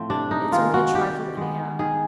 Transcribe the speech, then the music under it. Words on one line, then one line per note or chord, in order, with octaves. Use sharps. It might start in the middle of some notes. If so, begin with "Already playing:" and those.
It's only a trifle, anyhow.
Already playing: A2 F3 A3 C4
C3 D4
D#4
D#3 G#3 F4
F#4
D#3 G4
G#3 B3
D#3 G#4